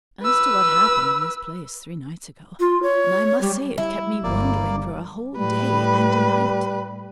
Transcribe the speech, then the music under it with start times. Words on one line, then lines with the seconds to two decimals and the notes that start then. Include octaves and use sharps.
As to what happened in this place three nights ago, I must say it kept me wondering for a whole day and a night.
0.23 B4 E6
2.60 F4
2.83 C#5
3.41 G3
3.78 G3 E4
4.23 G1 A#3 D5
5.39 A2 G3 B4